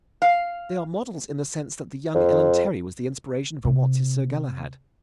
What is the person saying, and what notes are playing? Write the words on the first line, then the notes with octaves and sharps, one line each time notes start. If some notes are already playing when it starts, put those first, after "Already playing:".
They are models in the sense that the young Ellen Terry was the inspiration for Watts' Sir Galahad.
F5
F2
C3